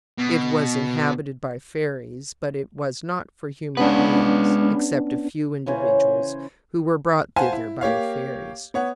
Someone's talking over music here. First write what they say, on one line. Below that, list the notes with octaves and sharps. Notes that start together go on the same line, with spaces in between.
It was inhabited by fairies, but it was not for human beings, except a few individuals who were brought thither by the fairies.
B2
G#3 B3 C#4 D4 B4
C#3 E3 C#4 C5
C5 F5 F#5 G#5 A5
E4
A#3 G4 C#5 F5
B3 C#5 F#5